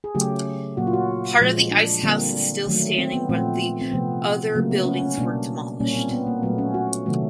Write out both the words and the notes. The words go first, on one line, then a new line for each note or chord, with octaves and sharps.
Part of the ice house is still standing but the other buildings were demolished.
G#4
C#3 F#3 A3 G4
A#2 F#3 A#3 F#4
F4
F#4
A#2 F3 G#3
D4
D3 G3 A#3 C4
D#3 F#3 A3
C4
B3
A#2 F3 A3 C4
C4
C3 F3 A3 B3
C#3 F#3 A3 A#3
B3
C#4
C#4
B2 G3 A#3 D4
A#2 G3 A#3 C#4
C4
B3
A#3
A#2 F#3 A3 B3
C#4
F#4
C3 D#3 F#3 A3